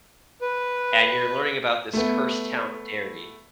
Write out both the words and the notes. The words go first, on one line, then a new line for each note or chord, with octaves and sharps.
and you're learning about this cursed town Derry.
B4
A3 B3